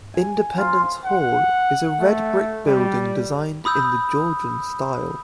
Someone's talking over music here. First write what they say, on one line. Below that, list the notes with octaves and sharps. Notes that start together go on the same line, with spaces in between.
Independence Hall is a red brick building designed in the Georgian style.
G#5
F4 C5
F#5
A3
G3
B5 D#6 E6 G6